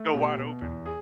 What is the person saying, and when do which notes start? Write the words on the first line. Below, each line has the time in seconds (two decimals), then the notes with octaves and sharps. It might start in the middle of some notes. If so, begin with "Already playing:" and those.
go wide open.
Already playing: A3
0.14 B2 G4
0.38 B2
0.62 E2
0.86 G#4